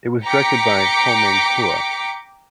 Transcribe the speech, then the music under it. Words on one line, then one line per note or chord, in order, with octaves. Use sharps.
It was directed by Ho Meng Hua.
G5 A#5 D6 B6 C#7